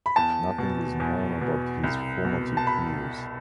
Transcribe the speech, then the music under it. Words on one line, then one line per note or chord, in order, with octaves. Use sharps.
Nothing is known about his formative years.
B5
E2 A5
B2
E2
B2
C2
B2
A5
B5